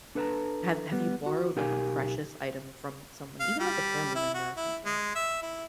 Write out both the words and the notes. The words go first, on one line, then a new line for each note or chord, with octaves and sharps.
Have have you borrowed, like, a precious item from someone, even, like, a family member or something?
D4 A4 B4 E5 A5 A#5
G3 B3
F#4
B1 D#4 G4 A#4 F5 G#5
F5
G3
E4
F#4
E4
G#3
E5
E4